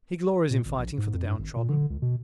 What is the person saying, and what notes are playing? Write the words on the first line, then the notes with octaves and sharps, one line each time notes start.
He glories in fighting for the downtrodden.
A#2
G#1
A#1
G#2
F2
G2
G#1
A#2
D3
C#2
B2